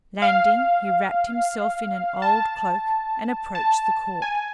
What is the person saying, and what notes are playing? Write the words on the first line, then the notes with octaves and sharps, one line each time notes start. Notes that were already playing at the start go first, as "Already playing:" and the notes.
Landing, he wrapped himself in an old cloak and approached the court.
F5
A5
A5
G#5